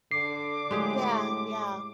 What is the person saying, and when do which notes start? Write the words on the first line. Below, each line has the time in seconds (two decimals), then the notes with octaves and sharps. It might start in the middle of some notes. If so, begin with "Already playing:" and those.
Yeah, yeah.
0.11 D3 D6 C7
0.71 A2 G#3 G4 G#4